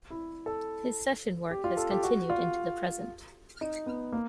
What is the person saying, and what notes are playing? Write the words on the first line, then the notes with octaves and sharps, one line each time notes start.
His session work has continued into the present.
E4
A4
G4
F4
A4
G4
F#4
F4
D#4
B3
A#3